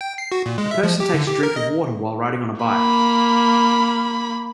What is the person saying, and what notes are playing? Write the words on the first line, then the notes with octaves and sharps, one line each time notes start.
A person takes a drink of water while riding on a bike.
G5
C7
F#4
A#2
G#3
E5
F3
G4
D3
G4
A#4
D#5
A#3 B5